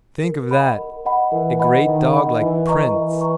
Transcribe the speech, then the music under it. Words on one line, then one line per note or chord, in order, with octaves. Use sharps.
"Think of that--a great dog like Prince!"
A#4
D#5 F#5 B5
A#4
D#5 F#5 B5
E3 A#4
D#5 F#5 B5
D#3 A#4
D#5 F#5 B5
E3 A#4
D#5 A#5 C#6
E3 A#4
A#5 C#6